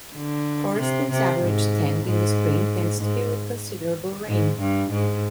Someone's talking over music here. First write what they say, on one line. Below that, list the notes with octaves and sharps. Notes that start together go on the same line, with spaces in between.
Forreston's average temp in the Spring tends to be with considerable rain.
D3
C3
C3
G#2
G#2
G#2
G#2
G2
G#2